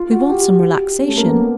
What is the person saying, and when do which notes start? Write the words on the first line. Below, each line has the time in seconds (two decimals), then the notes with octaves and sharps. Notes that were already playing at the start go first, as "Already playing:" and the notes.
"We want some relaxation."
Already playing: F4
0.12 F#4
0.29 G4
1.00 C#4
1.08 A3
1.17 A#3
1.26 B3